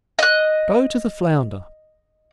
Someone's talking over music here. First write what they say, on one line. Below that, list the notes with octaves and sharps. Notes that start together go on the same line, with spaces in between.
Go to the flounder.
D#5 F#6